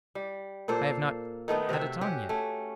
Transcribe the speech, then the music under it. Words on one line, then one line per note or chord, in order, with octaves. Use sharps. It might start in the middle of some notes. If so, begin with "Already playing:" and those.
I have not had it on yet.
G3
A#2 A#3 A4 C5
D#3 A3 B3 D#4
C3 C4 F#4 E5
C#4 F#4 G4 F#5
A3 C#4